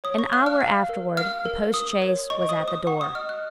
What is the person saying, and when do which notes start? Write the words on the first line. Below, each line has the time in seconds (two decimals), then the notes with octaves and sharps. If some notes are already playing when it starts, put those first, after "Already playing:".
An hour afterward the post-chaise was at the door.
0.04 C#5 D#6
0.18 C#6
0.33 F5 F#6
0.46 F6
0.61 F5
0.89 A#4
1.17 F5 F6
1.45 A#4
1.74 A#4 D#6
2.02 C#5
2.30 D#5 C#6
2.49 D#6
2.59 C5
2.68 D#6
2.87 F#5 C#6
3.01 D#6
3.15 D#5 F6
3.29 F#6